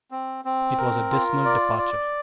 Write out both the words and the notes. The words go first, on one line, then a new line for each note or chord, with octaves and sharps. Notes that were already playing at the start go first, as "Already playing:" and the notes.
It was a dismal departure.
C4
C4
A#4
F4
D5
D5